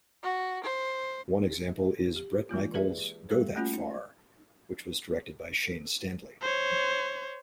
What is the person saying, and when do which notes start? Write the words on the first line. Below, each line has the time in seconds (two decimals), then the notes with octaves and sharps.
One example is Bret Michaels "Go That Far" which was directed by Shane Stanley.
0.23 F#4
0.63 C5
2.16 G4
2.49 E3 G#3 A#3 F4
2.74 G4 G#4 B4 D5 E5
3.29 G3 A3 G4 A4 C5
3.56 A3 A#3 C#4 F4 F#4
3.73 D#4
6.42 C5 C#5